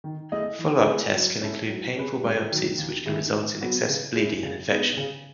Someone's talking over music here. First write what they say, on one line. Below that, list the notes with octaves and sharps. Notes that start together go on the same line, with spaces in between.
Follow-up tests can include painful biopsies which can result in excessive bleeding and infection.
D#3
A3 E4 G#4 D#5
E3
A3 E4 G#4 B4
F#3
C#4 E4 A4
F#3
C#4 G#4 B4
G#2
D#3 F#3
D#2
D#3 A3 E4 G#4
A2
F#3 B3 F#4
C#3
G#3 C#4 E4
C#3
G#3 B3 D#4
C#3